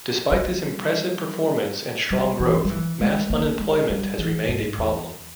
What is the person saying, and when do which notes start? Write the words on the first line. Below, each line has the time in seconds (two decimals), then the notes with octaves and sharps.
Despite this impressive performance and strong growth mass unemployment has remained a problem.
0.32 G3
2.10 G3
2.40 E3
2.64 G3
2.70 E3
3.01 G#3
3.30 A#3
3.59 G#3
3.90 G3
4.18 E3
4.48 G#2
4.78 E2